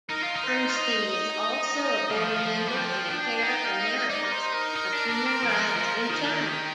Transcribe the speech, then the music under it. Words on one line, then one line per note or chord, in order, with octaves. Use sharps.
Bernstein is also a board member and Chair Emeritus of Human Rights in China.
D#4 A#4
F4
D#4
C5
F4
D#4 D#5
G3 F5
F3
D#3
F3
G3
F3 G5
D4 G5
D#4 G5
F5
D#5
D#4 D5
A#4
C5
A#4
D#4
D4
D4
C4
F3
F3
D#3 A#4
G4